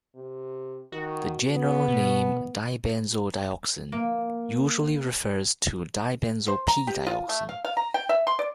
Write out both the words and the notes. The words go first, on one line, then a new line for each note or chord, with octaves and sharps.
The general name dibenzodioxin usually refers to dibenzo-"p"-dioxin.
C3
D#3 F#4
B3
B2
A#3
C5
A#5
G4
F4
A3
F5
F5
A#5
G5
E5
C6
D5